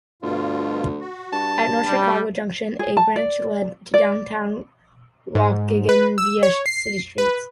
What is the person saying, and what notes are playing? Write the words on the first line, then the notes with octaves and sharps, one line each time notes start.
At North Chicago Junction, a branch led to downtown Waukegan via city streets.
D2 G2 B2 F4
F#4
G2 A5
B2 G3
G#4
A5
D5
D5
G#2
B4
E6
C#5
C7
B4